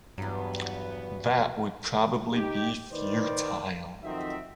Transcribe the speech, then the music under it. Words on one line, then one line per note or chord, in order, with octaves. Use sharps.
That would probably be futile.
E2 G2 F#3 B3
D#4 G4
D#3 B4 C5 D5
F2 D#3 F#3 C4 D#5 E5